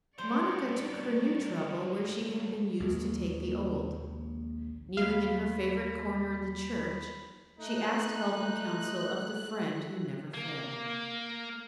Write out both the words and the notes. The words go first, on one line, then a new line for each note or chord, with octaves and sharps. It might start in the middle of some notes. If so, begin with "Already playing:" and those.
Monica took her new trouble where she had been used to take the old. Kneeling in her favourite corner in the church, she asked help and counsel of the Friend Who never fails.
G2 F#3 C5 D5 C#6
A#1 D#2 G#3
D#2 F5 B5
A3 D#4 F#6
A#3